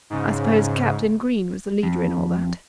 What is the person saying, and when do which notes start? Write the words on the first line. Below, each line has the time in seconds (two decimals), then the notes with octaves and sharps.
"I suppose Captain Green was the leader in all that?"
0.10 G#2 C#3
1.83 F2